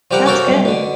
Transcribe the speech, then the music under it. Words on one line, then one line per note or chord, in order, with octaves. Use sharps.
That's good.
F3 G3 G4 A#4 F#5
A#3 C#4 F#4 A4 A#4 C5
B1 G2 C3
B2 D3